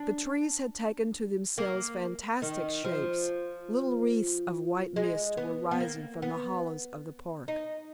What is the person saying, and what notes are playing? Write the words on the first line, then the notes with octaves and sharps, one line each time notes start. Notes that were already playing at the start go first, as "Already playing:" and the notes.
The trees had taken to themselves fantastic shapes, little wreaths of white mist were rising from the hollows of the park.
Already playing: D4
A#3
D#3
F3
G#3
B3
B3
A#3
B3
D#4